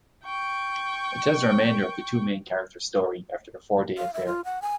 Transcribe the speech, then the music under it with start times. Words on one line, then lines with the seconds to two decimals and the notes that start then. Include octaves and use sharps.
It tells the remainder of the two main characters' story after their four-day affair.
0.25 G5 C#6
3.98 F5
4.14 E5
4.26 F4
4.45 F#5
4.62 G#5